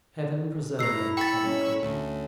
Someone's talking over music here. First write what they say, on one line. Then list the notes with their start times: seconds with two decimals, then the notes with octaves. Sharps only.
"Heaven preserve him!" said the queen.
0.79 A2 E4 A#5 E6 C7
1.17 G5 B5 C#6 E6 A6
1.43 A3 C#4 D#4
1.83 D2